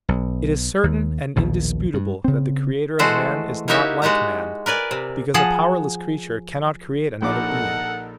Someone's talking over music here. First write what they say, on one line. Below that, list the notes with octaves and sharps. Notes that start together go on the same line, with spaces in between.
It is certain and indisputable that the creator of man is not like man because a powerless creature cannot create another being.
B1
D#2
A#1 D#2 B2
G2
C#3 C4
E3 G#3 A3 F#4 A4 C5
A#3 D#4 E4 F#4 G4 E5
G#3 F#4 G4 A5 A#5
A#4 B4 D5 G#5
C3
F3 G#4 F#5 A5
A#1 D#4 A4 A#4 F#5 D6